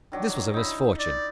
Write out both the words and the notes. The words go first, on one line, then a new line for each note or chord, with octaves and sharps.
This was a misfortune.
D#3 F#3 D4
D#4 E4
D5